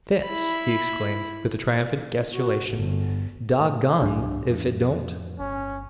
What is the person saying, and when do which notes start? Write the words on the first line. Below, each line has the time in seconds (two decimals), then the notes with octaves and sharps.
"Fits!" he exclaimed, with a triumphant gesticulation, "Dog-goned if it don't!"
0.24 E4 B5
2.34 F#4
2.70 G1
3.60 A2
4.02 C2 G2 F#3 D4 G4
4.47 F2 A2 F3
5.39 G1 C#4